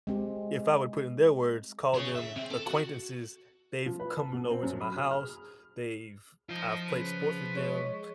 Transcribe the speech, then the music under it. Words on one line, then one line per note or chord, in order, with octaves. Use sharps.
if I would put in their words, call them acquaintances, they've coming over to my house, they've I've played sports with them,
G#3 C4 G4
G#4 C#5
E5
C4
A4
F#4
F3
B4
A5
B2
C4
F#2
B5
G#4
F6
F3 D#4 F4
C#3 B4
G#3 C#5